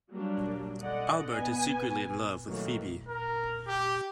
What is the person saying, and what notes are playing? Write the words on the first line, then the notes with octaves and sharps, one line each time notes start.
Albert is secretly in love with Phoebe.
F#3 G3 A#3 D4
D3 D5 D#5 F#5
B3 G#5
D#3 E3 F#3 A3 A#3
A#4
G4